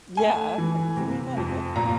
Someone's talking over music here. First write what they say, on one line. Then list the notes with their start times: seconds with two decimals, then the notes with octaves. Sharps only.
Yeah. Give me money.
0.17 A3 G#5
0.58 E3
0.96 C3
1.37 F2
1.76 A#2 A#5